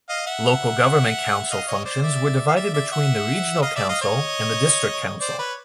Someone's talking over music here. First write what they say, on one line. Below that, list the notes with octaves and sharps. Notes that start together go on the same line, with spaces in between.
Local government council functions were divided between the regional council and the district council.
D#5 F5
E5 F#5
D#5 F5
C#5 D#5
C5 D5
D5 E5
F5
D5 E5
D5 E5
E5 F#5
D#5 F5
D5 E5
D#5 F5
C#5 D#5
C5 D5
B4 C#5